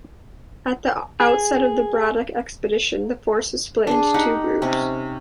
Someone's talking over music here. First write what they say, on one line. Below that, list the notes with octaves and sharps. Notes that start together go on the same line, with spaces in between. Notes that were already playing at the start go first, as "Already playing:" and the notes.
At the outset of the Braddock Expedition, the force was split into two groups.
G#4
D4 G#4
D#4 G4 F#5
C3 C#4